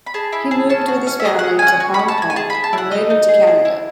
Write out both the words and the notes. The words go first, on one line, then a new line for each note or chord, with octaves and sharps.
He moved with his family to Hong Kong and later to Canada.
B5
G#4 A5
E4 B5
G#4 A5
C#4 A5
F#4
C#4
E5
G#4 D#5
F#5
C#4
G#5
C#4 F#5
F#4
B5
F#4
A5
F#4 G#5
G#5
G#4 A5
G#4 B5
A5
E4 F#5
D#4 D#5
D#4
G#4
E4
E4